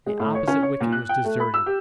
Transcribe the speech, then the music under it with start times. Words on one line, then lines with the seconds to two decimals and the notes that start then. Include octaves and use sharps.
The opposite wicket was deserted.
0.06 G#3
0.19 A2
0.35 C#5
0.47 C#4
0.62 C#5
0.81 A#2
0.92 F#6
1.09 G5
1.24 A3
1.40 B5
1.54 E6
1.66 G4